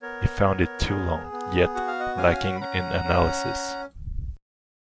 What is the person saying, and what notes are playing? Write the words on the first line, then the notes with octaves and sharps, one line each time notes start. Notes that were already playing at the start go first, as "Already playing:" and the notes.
He found it too long, yet lacking in analysis.
B3 A#4 C#5
B3
G#4
B3
F#4 F#5
F5
D#5 F#5
C#4 F5 G#5
B5
C#4 F#5 A#5
C#4